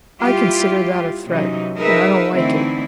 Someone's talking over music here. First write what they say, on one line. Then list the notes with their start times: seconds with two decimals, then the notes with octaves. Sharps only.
I consider that a threat, and I don't like it.
0.20 G3 E4 F4 G4
1.26 C3 E3 F#3 C#4 D#4
1.77 D#4 G#4 A#4 B4 E5
2.32 D3 E3 A3 C4 D#4 E4